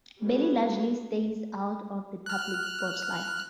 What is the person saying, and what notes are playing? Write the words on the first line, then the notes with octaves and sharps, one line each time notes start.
Belle largely stays out of the public spotlight.
G3 A3 B3 C#4 F#4
F6 F#6